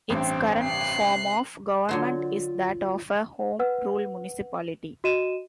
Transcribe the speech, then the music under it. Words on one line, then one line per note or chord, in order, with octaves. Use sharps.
Its current form of government is that of a Home Rule Municipality.
A1 G2 C4 G5
C3 F#6 C7
D3 F#3 F4 C5
B4 F#5 E6
F#4 D#5 D#7 E7